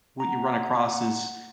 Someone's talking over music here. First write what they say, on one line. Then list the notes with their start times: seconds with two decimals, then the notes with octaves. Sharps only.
what you run across is
0.20 F#5 A#5